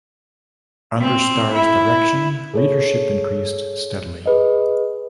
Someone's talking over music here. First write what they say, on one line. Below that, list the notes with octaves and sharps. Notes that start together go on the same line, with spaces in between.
Under Starr's direction readership increased steadily.
C4
E4
G#4 A4 C#5
G#4 B4 D#5